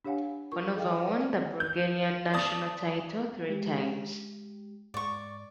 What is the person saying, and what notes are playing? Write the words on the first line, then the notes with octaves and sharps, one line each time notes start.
Panova won the Bulgarian national title three times.
D4 G4 C#5 F5 F#5 G#5
F4 A#4 C#6
G#4 A4 D#5 F5 G5
B4 C5 D5
G6
D5 A5 D#6 A6
G#3 G4
G#2 D5 C#6